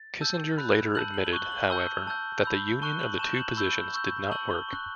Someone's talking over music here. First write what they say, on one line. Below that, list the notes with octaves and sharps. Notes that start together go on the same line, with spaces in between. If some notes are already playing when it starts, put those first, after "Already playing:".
Kissinger later admitted, however, that the union of the two positions did not work.
Already playing: A6
A5 E6 G6
B5 F#6
A5 E6 G6 F#7
F#7
F#7
C#6 F#6 G7
F#7
A5 E6 G6 G7
A5 E6 G6
B5 E6 G6
A5 C#6 F#6 G7
F#7
A5 C#6 G6 E7
F#7
B5 E6 G6 G7
C#6 E6 G6
A5 C#6 E6 G6 F#7
G7
C#6 F#6